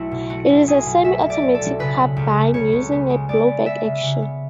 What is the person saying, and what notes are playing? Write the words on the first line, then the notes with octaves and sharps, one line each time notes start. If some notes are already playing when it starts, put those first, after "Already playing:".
It is a semi-automatic carbine using a blowback action.
Already playing: B1 A3 E4 F#4
B2
A3 F#4
B1
B1 G#4
B2
A3 E5
B2
D5
A3
A4
B1
C#3 B4
B3
C#2
C#3
C#2 C#5
C#2
B3
G#3
G#3 D5
B3
B3 E5
C#3
C#3
B3